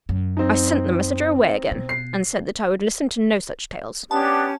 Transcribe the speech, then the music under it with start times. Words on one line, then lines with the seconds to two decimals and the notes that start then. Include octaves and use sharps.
I sent the messenger away again, and said that I would listen to no such tales.
0.09 F#2
0.37 C4 D#4
1.71 B2
1.89 C7
4.11 B3 C#4 D4 G4 A5